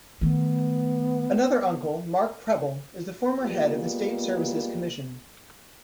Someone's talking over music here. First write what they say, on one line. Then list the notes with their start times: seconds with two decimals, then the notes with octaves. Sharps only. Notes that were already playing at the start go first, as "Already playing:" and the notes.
Another uncle, Mark Prebble, is the former head of the State Services Commission.
0.21 D#3 A3 B3
3.43 G3 G#3 A#3 B3 F4